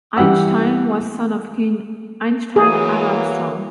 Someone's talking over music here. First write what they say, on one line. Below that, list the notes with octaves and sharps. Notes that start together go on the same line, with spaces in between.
Eystein was son of King Eysteinn Haraldsson.
E3 G3 F#5 E6
E3 F#3 A#3 G#4